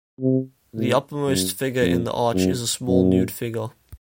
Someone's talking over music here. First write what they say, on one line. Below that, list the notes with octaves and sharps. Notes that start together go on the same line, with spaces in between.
The uppermost figure in the arch is a small nude figure.
C3
A2
F#2
F2
F#2
F#2